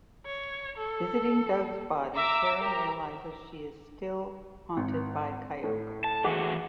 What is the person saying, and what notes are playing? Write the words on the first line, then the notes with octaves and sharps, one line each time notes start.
Visiting Doug's body, Karen realizes she is still haunted by Kayako.
C#5
A4
E5 A#5 D6 E6
G4 A#4 A#5
G#1
A2
A5
A2 E3 F#4 G#4 F#5 D6